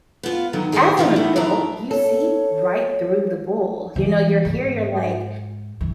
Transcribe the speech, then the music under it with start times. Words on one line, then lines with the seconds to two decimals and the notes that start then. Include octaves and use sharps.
As an adult, you see right through the bull, you know, you're here, you're, like,
0.23 B3 F4
0.53 D3 D#3 F#3
0.72 D#3 G4 G#4 A#4 C5
0.97 B2 D#3 E3 F#3 A3 A#3
1.16 D#3 A3 B3 E4
1.36 F#2 A#2 D#3 D4 E4 A#5
1.91 A4 C#5
3.96 E3
4.45 G#2
5.81 E3